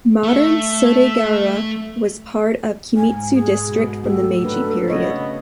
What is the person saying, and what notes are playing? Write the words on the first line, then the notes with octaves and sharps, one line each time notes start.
Modern Sodegaura was part of Kimitsu District from the Meiji period.
A3 E5
G#2 G#5
G#4
G#2 B2
A3 F#4 G4 A4
F#3 A#3 D4 B4
C#3 B3 C#5 D#5